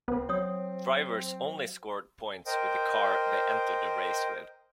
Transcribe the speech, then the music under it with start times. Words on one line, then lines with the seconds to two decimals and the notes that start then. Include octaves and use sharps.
Drivers only scored points with the car they entered the race with.
0.08 C#2 B3 C4
0.29 F#3 C#5 F#5 D#6
2.46 A#4 C5 D#5 G5